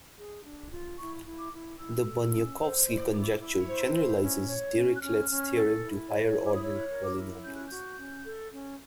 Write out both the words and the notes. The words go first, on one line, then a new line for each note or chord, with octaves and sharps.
The Bunyakovsky conjecture generalizes Dirichlet's theorem to higher-order polynomials.
G#4
D4
F4
E4 C#6
E4
D6
E4
E4 E6
A4
C#4
C5
E4
E4
E4
C5
E4
C#4
C#5
C#4
F#6
C#4 F6
C#4
A4
E4
C#5
E4
D6
D#6
C#5 E6
A#4
D6
E4
C#4 G6
F#6
F#4 G6
C#4
A4
C#4